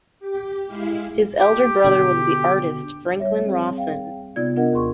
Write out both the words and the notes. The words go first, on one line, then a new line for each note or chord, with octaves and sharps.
His elder brother was the artist Franklin Rawson.
G4
G#3 E4 F5
G4
B2 D3
G3 C#5 E5
C4 G#4
F5 G5
C3 B3 D#4 F4 D5 G#6
B3 D4 F4 A#4 D#5 F#5
D#2 G#4 C6 C#6